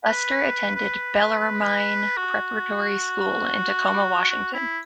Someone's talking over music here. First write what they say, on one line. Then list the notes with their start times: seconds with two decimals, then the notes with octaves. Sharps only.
Lester attended Bellarmine Preparatory School in Tacoma, Washington.
0.05 B4
0.75 B4
2.17 F#4
4.30 F#4
4.54 E4